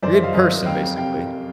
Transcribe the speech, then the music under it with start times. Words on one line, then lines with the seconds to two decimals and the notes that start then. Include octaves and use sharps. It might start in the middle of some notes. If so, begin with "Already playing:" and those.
A good person, basically.
0.02 F#2 C5 D5
0.13 D5 E5
0.19 F#2 D#5 F5
0.34 F#2 D#5 F5
0.50 F#2
0.66 F2 F5 G5
0.82 F2
0.97 C3 F5 G5
1.13 F2